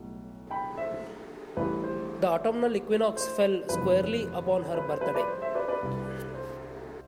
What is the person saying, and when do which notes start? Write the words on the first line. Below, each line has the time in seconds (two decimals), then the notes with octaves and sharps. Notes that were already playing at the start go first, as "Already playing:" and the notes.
The autumnal equinox fell squarely upon her birthday.
Already playing: B1 A2 G3
0.51 G5 B5
0.77 C5 E5
1.57 A1 A2 E3 G3 B4
1.84 C5
3.17 C5
3.69 G1 F2 C3 E3 B4
4.75 B4
4.88 C5
5.01 B4
5.15 B4 D5
5.28 C5
5.42 C5 E5
5.55 B4 D5
5.68 B4 D5
5.81 C2 C3 G3
6.34 C5